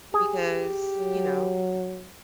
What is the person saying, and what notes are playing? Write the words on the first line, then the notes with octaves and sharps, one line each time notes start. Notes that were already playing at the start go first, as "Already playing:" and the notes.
because, you know
G4 G#4
F#3